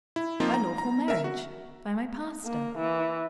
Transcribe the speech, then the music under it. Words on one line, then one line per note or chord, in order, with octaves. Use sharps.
"By lawful marriage, by my pastor."
E4
F3 A#3 C4 D#4 F4
A#5
A#5
A#4 E5
F#4
A#3
E3